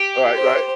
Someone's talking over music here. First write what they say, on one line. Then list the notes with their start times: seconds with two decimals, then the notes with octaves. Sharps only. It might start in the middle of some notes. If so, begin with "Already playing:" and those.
Right, right.
Already playing: G4
0.35 C5